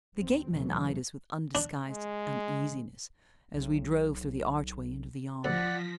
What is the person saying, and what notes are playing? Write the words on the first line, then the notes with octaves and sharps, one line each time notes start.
The gateman eyed us with undisguised uneasiness as we drove through the archway into the yard.
D2 C4
D#2 B2 E3 F#3 A3
D4
G#3
B1
D2 C3 F3 D5 F#5 B5 A#6 B6